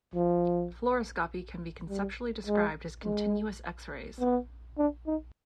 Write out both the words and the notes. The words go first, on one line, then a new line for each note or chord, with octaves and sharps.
Fluoroscopy can be conceptually described as continuous x-rays.
F3
G3
G#3
G#3
B3
D4
D#4